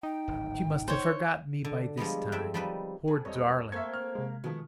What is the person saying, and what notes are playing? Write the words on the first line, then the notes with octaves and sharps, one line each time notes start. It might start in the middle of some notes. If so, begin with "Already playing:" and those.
She must have forgotten me by this time, poor darling!
D#4 G5
D1 G#1
C5 C#5
D3
F3 G3 G#3 B3
F2 C4 D5 E5
F3 G3 C4 D#4 B4
F2 G#4
E1 G3 C4 B4 C#5 D#5
A3 A#3 C4 C5 E5 C#6 G#6
F6
C3 G#3
B2 D#3 F3 G#3 A3 B3